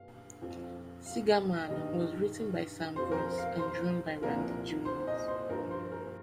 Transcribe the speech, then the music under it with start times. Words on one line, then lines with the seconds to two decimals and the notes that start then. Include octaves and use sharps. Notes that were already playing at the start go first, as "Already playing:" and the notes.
"Cigarman" was written by Sam Gross, and drawn by Randy Jones.
Already playing: G2 F5
0.42 F2 F3
1.06 F5
1.68 G2 D#3 G3 D#5
2.96 F2 F3 C5
3.11 A#4
3.17 C5
3.38 F5
3.59 C5
4.22 C2 A#2 F3 A#4
4.85 C5
5.07 D#5
5.28 C5
5.49 G2 F3 A#4
5.71 C5
5.92 A#4